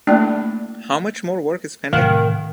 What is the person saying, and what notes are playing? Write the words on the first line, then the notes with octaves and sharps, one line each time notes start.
How much more work is pending?
A3 A#3 D4 E4
A2 C3 D#3 F5 F#5